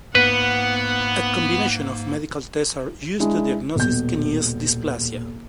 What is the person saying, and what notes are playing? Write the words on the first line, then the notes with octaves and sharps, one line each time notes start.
A combination of medical tests are used to diagnosis kniest dysplasia.
G#2 A#3 B3 B4 F#5
G#3 D4 E4
D#1 B2 G6